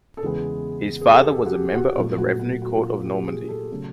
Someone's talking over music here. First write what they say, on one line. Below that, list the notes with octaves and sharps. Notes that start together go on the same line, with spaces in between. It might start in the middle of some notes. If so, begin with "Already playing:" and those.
His father was a member of the revenue court of Normandy.
A4
E2 C#3 E3 G#3 B3 G#4
G#4
A4
G4
G#4
F#4
G4
F#4
A#2 F#3 A3 F4
F#4
F#4
F#4
F4
F#4
G4
G#4
A4
C#3 F#3 A3